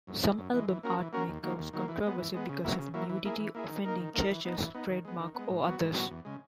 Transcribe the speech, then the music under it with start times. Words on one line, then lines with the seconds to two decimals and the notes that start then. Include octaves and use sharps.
Some album art may cause controversy because of nudity, offending churches, trademark or others.
0.07 F#2
0.23 E3 G#3
0.38 F#2
0.53 E3 G#3
0.68 E3
0.83 A#3 C#4 F#4 A#4
0.98 E3
1.13 A#3 C#4 F#4 A#4
1.28 D#2
1.43 D#3 F#3 A#3
1.59 D#2
1.73 D#3 F#3 A#3
1.88 E3
2.03 G#3 B3
2.18 E3
2.34 G#3 B3
2.49 C#3
2.64 F#3 A#3 E4
2.79 C#3
2.94 F#3 A#3 E4
3.09 E3
3.25 A#3 E4 G#4
3.40 E3
3.55 A#3 E4 G#4
3.69 D#3
3.84 A#3 D#4 A#4
4.00 D#3
4.14 A#3 D#4 A#4
4.30 E3
4.45 B3 D#4
4.60 E3
4.74 B3 D#4
4.90 D#3
5.05 G#3 B3
5.19 D#3
5.35 G#3 B3
5.50 G#2
5.65 F#3 B3 F#4
5.80 G#2
5.95 F#3 B3 F#4
6.11 E2
6.25 C#3 G#3